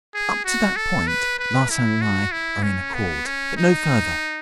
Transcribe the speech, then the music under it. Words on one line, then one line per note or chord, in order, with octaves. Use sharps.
Up to that point, Larsan and I are in accord; but no further.
G#4
F#4
A4
B4
B4
E4
F#4
E4
C#4
B3
C#4
D#4